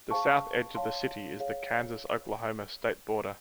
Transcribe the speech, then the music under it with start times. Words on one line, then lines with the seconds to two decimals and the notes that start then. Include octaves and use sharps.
The south edge of the city is the Kansas-Oklahoma state border.
0.11 G#4 C5 F5 A5 C#6
0.75 C#5 F5 A5 C6
1.40 G#4 C#5 F5